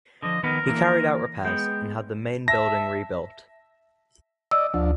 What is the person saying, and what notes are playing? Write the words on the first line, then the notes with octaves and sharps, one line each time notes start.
He carried out repairs and had the main building rebuilt.
D3 F3 D#5
D#3 B3 A#4 B4
D3 E3 A#3
G#3 B3 G5
E5 A5 A#6
D5 D#5 E6
D2 F3 D4